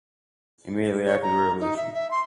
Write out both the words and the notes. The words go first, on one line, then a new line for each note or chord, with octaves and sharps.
Immediately after the Revolution.
C#5
A#5
D#4
E5
E5
C6